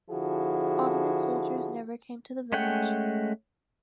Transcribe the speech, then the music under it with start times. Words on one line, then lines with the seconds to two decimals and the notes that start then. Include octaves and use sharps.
Ottoman soldiers never came to the village.
0.10 D3 F3 E4 F#4 G#4
2.53 G#3 A3 C#4 F#5 G5